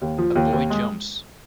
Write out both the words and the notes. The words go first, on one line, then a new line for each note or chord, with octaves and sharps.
A boy jumps.
D#2
F3
D#2
D#2
G#3